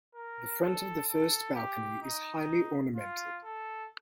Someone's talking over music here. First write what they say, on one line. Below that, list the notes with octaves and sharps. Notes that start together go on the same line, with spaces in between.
The front of the first balcony is highly ornamented.
A#4
A4
A4
G4
D#4
F4
A4